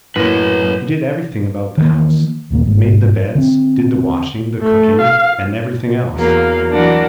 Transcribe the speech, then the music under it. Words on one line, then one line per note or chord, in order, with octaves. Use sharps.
She did everything about the house,--made the beds, did the washing, the cooking, and everything else.
F#2 A2 A#3 B4 C#5 A#6 D#7
D#3 E3 A#3
D#1 A1 D#2 A#3
G1 G#2
D3 C4
A3
F5
E2 F#3 A#3 F5
E3 F#3 A#3 D4 F#4